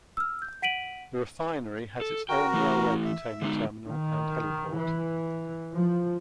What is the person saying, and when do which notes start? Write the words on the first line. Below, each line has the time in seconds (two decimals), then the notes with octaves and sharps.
The refinery has its own railway container terminal and heliport.
0.17 E6 F6
0.42 G6
0.62 F#5 B6 D7 D#7 F#7
2.01 A4
2.29 F#4 A#4 G5
2.53 E3 A3 E4
3.05 E5
3.42 D3 G#3 D#4
3.89 D#3
4.76 E3
5.73 F3